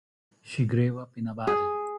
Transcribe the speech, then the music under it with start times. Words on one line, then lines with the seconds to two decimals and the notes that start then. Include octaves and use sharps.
She grew up in Ibadan.
1.47 G#4